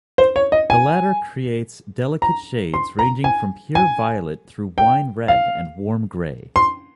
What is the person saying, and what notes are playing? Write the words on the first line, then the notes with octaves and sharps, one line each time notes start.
The latter creates delicate shades ranging from pure violet through wine-red and warm grey.
C5
C#5
D#5
G#5
A#5
C6
A#5
G#5
G#5
G5
F5
C6